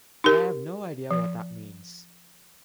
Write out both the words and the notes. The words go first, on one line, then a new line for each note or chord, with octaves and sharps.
But I have no idea what that means.
D#4 G4 A#4
F3